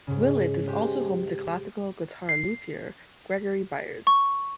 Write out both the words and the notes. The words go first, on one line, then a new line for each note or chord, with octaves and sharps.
Willits is also home to classical guitar luthier Gregory Byers.
G#2 C#3
G#3 G4 C5
C7
C#6